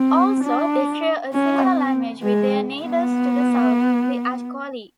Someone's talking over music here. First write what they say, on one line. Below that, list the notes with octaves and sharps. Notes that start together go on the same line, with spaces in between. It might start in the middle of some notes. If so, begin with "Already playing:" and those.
Also, they share a similar language with their neighbors to the south, the Acholi.
Already playing: C4
D4
C#4
C4
G#3
B3